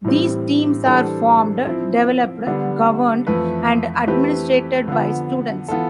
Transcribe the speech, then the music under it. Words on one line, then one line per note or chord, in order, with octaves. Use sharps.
These teams are formed, developed, governed, and administrated by students.
A2 E3 G3 C4
E3 G3 D4 A4 C5
F3 C4 E4
D3 G3 B3 D4
F2 E3 A3 E4 B4
E3 A3 C4 G4 B4
D3 F3 B3
E3 B3 F4 A4